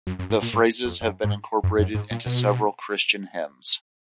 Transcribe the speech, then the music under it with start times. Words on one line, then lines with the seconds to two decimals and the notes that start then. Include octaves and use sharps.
The phrases have been incorporated into several Christian hymns.
0.07 F#2
0.19 F#2
0.30 G#2
0.42 A#2
0.53 G#2
0.85 F2
1.01 F#2
1.24 G#2
1.64 F#2
1.79 F#2
1.95 G#2
2.11 A#2
2.26 B2